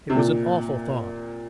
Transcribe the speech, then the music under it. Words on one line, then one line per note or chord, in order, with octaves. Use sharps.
It was an awful thought!
C3
A#2